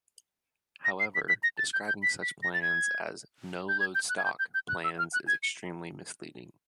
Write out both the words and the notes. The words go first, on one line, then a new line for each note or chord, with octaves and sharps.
However, describing such plans as "no-load stock" plans is extremely misleading.
A#6
C7
B6
B6
A#6
A6
G6
G6
B6
B6
A#6
A6
G#6
G6
G#6
G6
F#6
G#6
G6
G6
G6
F#6
E6
F6
F#6
G#6
C#7